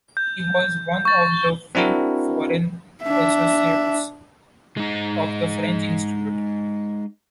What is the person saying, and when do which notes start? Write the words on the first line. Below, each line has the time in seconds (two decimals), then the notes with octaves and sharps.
He was one of the few foreign associates of the French Institute.
0.17 G6
1.05 C#6 A6
1.75 C4 D4 E4 F#4 A#4
3.03 D4 E5
4.77 G#3 D#4